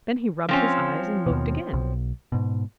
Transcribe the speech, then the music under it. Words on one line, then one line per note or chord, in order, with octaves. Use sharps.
Then he rubbed his eyes and looked again.
F3 C4 C#4
D#2 B2
B1
G#2 B2